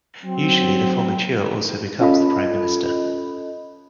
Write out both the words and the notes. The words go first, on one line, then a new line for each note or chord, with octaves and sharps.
Usually, the Formateur also becomes the Prime Minister.
F#3 C4
C#4 F4 A4 D#5 B5